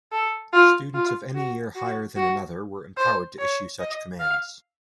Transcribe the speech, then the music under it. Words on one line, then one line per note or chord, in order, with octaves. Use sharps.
Students of any year higher than another were empowered to issue such commands.
A4
F4
F4
F#4
F#4
F#4
C5
C#5
D#5
F5